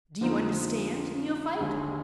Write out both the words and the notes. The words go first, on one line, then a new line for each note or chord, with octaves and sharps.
Do you understand, Neophyte?
F2 D3 F3 C4 D#4
D#2 D3 G#3